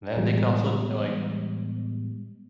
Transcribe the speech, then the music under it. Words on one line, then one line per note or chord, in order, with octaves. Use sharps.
then they could also d like
A2 E3 G3 G#3 B3